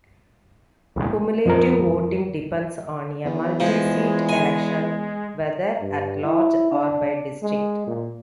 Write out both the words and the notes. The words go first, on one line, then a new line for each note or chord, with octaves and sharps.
Cumulative voting depends on a multi-seat election, whether at-large or by district.
F2 F3 A#4
E2
F3 G#3
G#5
G2
E4
D4
G#3
A#2